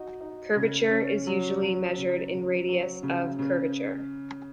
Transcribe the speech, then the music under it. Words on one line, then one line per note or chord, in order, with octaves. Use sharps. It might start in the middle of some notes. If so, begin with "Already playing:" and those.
Curvature is usually measured in radius of curvature.
Already playing: D#4 F#4
D#4
C#3
C#4
F#3
F#3
C#3
C#3
F#3
C#3
C#3